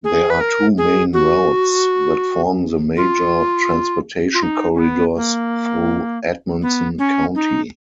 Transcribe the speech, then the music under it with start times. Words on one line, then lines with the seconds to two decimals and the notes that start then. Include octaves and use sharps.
There are two main routes that form the major transportation corridors through Edmonson County.
0.04 G#4
0.30 B4
0.41 A#4
0.78 G#4
1.13 F#4
2.97 F4
4.34 F4
4.42 D#4
4.75 C#4
4.79 B3
5.16 A#3
6.62 B3
6.99 C#4
7.35 D#4